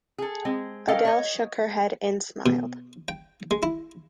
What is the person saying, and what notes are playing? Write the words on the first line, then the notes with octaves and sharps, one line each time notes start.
Adele shook her head and smiled.
G#4 A4
G#3 C4
C#4 A4 A#4 D#5 F5 G5
C#5 D#5
B2
G5
G#3
E4